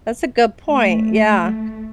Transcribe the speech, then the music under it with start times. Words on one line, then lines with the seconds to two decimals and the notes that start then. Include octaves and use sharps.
that's a good point, yeah,
0.68 A3